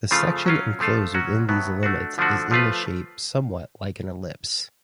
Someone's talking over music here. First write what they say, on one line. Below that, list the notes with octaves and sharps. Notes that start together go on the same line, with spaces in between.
The section enclosed within these limits is in shape somewhat like an ellipse.
C#3 F3 A3 F4
F#3 C#4 F4
F3 A3 F4 A4
F#3 C#4 F#4
A2 F#3 B3
A3 D4 F#4
D3 F3 A3 D4 F#4
F3 A3 F4 B4